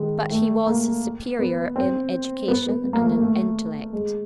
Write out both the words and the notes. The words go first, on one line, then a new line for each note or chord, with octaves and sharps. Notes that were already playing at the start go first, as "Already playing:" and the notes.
But he was his superior in education and in intellect.
Already playing: D#3 G#3
A3
A#3
B3
C4
B3
B3
B3
A#3
A3
A#3
A3
G#3